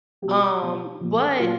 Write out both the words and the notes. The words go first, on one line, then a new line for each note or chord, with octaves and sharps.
um, but
B2 F#3 G4
B2 F#3
A#2 F3
A#2 F#3 F4